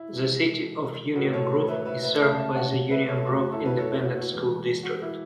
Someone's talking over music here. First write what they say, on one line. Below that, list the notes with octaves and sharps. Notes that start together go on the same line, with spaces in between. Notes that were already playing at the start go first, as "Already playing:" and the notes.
The City of Union Grove is served by the Union Grove Independent School District.
Already playing: E4
E1 E2 B2
A1 A2 F#3 B3 F#4
A4 C#5
B4 E5
B4 E5
B4 E5
C#2 C#3 A3 C#4 E5 A5
E5 A5
C#5 F#5
B4 E5
A4 C#5
F#2 F#3 A3 F#4
F#4
E4 A4
F#4 B4
A4 C#5
E4 A4
F#4
F#4
E1 E2 E3 B3
F#4
E4